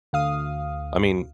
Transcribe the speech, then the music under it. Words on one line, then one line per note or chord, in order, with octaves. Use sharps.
I mean
D2 F5 D#6